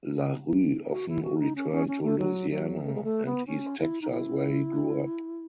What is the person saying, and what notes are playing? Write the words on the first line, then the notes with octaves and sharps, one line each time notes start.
LaRue often returned to Louisiana and East Texas, where he grew up.
F#4
E4
F#4
D#4
C#4
C#4
C#4
A3
F#3
F#3
A3
G#3
A3
B3
C#4
E4
D#4
E4